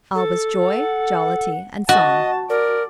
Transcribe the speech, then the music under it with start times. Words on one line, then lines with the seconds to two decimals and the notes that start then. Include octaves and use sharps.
All was joy, jollity, and song.
0.15 A4
0.64 F#5
1.89 F#4 D#5 A5
2.50 A#4 D5